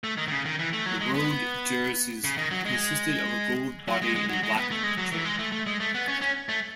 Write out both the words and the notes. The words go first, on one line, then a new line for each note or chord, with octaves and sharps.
The road jerseys consisted of a gold body and black trim.
A3
D#3
D#3
C#3
D#3
E3
A3
F#3
G#3
B3
C#3
D#3
F#3
G#3
F#3
G#3
G#3
F#3
G#3
B3
A3
G#3
F#3
E3
G#3
A3
A3
G#3
A3
B3
C#4
C#4
A3